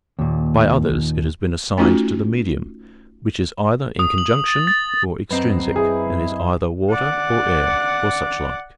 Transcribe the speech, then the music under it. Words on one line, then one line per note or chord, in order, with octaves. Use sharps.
By others it has been assigned to the medium, which is either in conjunction or extrinsic and is either water or air, or such like.
D#2 A#2
A3 C#4 D#4 F4 F#4
D#6
F#7
A6
A6
F#2 C4 B4 D#5 A#5
E4 G#4
D5 F#5